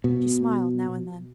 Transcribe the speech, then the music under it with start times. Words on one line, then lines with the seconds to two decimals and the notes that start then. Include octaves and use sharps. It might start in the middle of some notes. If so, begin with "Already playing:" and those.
She smiled now and then.
0.04 B2